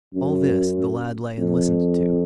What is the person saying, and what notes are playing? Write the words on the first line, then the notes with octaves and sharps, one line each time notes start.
All this the lad lay and listened to.
F#2
F2